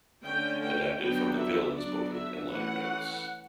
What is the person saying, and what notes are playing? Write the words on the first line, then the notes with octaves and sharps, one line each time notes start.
Adapted from the "Villains" booklet and liner notes.
D3 A3 C#4 G5
G5
F#3 B3 D4 G5
E5
F#3 B3 D4 D5
E5
E3 A3 C#4 F#5